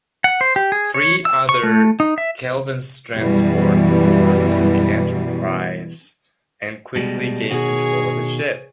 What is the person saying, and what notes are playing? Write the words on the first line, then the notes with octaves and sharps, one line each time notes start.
Three other Kelvans transport aboard the "Enterprise", and quickly gain control of the ship.
F#5
C5
G4
G#4
C#5
E6
C#6
A3
D#4
E5
F#2 B2 E3 G3
B2 G3 G#3
B2 D#3 F#4 G#4 C#5